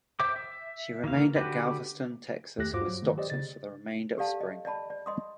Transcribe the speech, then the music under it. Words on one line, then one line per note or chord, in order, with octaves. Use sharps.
She remained at Galveston, Texas, with Stockton for the remainder of spring.
C5 E5 G5 D6
E5
D#3 E3 A#3 F5
D3 F#4 G4 B4
D#2 A3 G4 F#6 A#6
G2 F4 F#4 C5 D6
F#3
D#3 A3
G4 C5 D5 D#5
C#3 A6
G4 A4 D5 F5 A5
D#5
D5 D#5 A5 B5
D5
D#5 C6 D#6